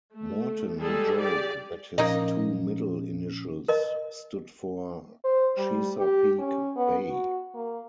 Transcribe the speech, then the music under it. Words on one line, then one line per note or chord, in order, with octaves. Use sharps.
Morton would joke that his two middle initials stood for Chesapeake Bay.
A3
G3 G#3 G#4 A4
G4 G#4 D5
A#2 F3 A#3 C#4 D#4 D#5
A#4 D#5
C5
G3
G4
C#4
B3
F#4
A#3